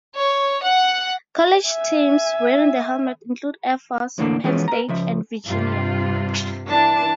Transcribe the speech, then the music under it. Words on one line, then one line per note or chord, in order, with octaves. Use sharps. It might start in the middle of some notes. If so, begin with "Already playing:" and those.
College teams wearing the helmet include Air Force, Penn State, and Virginia.
C#5
F#5
E5 G#5
E2 A2 D3 G#3 A#3 D4
E3 F3 G#3 B3 C#4
B4 A#5
C#2 F3 E5
G2 C3 F4
E3 D4 A5